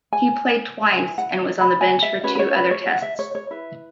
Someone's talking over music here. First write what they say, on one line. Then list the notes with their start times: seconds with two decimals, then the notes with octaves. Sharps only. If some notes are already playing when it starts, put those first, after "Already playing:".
He played twice, and was on the bench for two other Tests.
0.13 G#5
0.97 E4 B4 G#5
1.18 F#5
1.61 B5
1.81 G#5
2.02 E5
2.24 C#4 F#4 B4 C#5
2.35 B4
2.39 C#5
2.55 B4
2.71 C#5
2.87 F#5
3.02 E5
3.19 C#5
3.35 C#5
3.51 E4 B4 E5